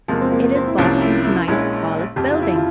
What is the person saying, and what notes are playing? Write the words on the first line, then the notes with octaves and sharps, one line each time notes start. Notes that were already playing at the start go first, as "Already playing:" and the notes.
It is Boston's ninth-tallest building.
E2 C3 F3 G#3 A#3
C4
A#3
C4
E4
C2 C3 F3 A#3 C#4
C#4
E4
E4
A#1 A#2 G#3 C#4 E4
F1 F2 C#3 G4
F4
E4
F4